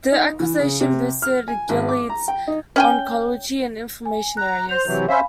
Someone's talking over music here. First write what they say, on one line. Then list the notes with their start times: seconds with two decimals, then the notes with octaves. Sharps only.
The acquisition boosted Gilead's oncology and inflammation areas.
0.12 D#4
0.40 E3
0.59 C#3
0.81 C3
1.22 F6
1.48 G#5
1.69 G#1
1.89 D6
2.09 A#5
2.28 G5
2.47 D#4
2.76 C#4 G5 G#5
4.05 G#5
4.37 A#5 F#6
4.69 C5 G6 F7
4.86 C3 E3 F#3
5.09 C#4 C5 E5 F5 G#5 B5